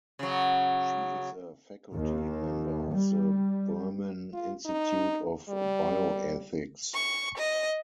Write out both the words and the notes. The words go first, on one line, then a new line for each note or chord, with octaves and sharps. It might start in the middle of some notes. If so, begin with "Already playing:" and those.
She is a faculty member of the Berman Institute of Bioethics.
C#3 F#3
D#2
G3
F4
D#4
G3
C#6
D#5